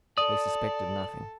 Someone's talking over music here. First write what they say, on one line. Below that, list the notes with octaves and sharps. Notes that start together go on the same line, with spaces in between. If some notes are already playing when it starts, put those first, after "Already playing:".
They suspected nothing.
A4 D5 D#6